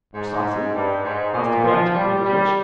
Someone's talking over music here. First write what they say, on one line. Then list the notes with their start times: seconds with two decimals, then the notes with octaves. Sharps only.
"Precisely?" asked Debray, taking out his watch.
0.14 G#2
0.74 G2
1.05 G#2
1.34 A#2
1.64 F3
1.95 G3
2.25 G3